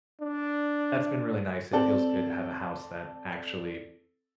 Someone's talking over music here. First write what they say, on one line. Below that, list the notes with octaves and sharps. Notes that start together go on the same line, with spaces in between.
that's been really nice. It feels good to have a house that actually
D4
C4 A4 D5